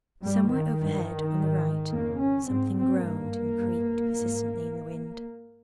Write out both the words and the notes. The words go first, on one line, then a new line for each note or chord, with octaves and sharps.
Somewhere overhead on the right, something groaned and creaked persistently in the wind.
G2 G3
D#3
G2
G#2
F2 C#3 A#3
C#4
G#2 C4
C4
G2 A#3
G2
G#2